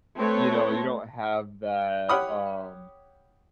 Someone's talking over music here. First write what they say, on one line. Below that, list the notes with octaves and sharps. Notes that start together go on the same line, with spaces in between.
you know, you don't have that, um,
A3 C4 A4 B4 C#5
G4 C#5 F#5 B5 D#6 F6